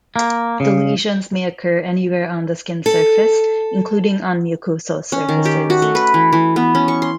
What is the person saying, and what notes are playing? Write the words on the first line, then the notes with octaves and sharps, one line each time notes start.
The lesions may occur anywhere on the skin surface, including on mucosal surfaces.
A#3
C#3
A4
C#4
D#3
G4
F#4
A3
B4
E3
E3
B3
C#4
C#6
C6